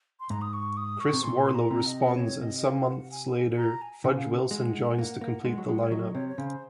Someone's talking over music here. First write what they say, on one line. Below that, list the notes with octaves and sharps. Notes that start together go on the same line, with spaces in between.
Chris Warlow responds and some months later Fudge Wilson joins to complete the line-up.
C6
G#2 A#5
D#6
C#6
D#6
C#6
C3
A#2 C6
A#5
C3
D#5
C#5
D#5
D#5
F5
F#5
G#5
A#5
G#5
C#3 F#5
F5
F#5
G#3
A#3
A#3
G#3
F#3
G#3
C#5
F#3 D#5
C3 C#5
C#5
C#3 C5